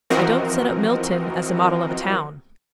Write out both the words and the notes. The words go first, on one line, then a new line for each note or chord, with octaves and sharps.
'I don't set up Milton as a model of a town.'
E3 F3 C4 F#4 A#4 D#5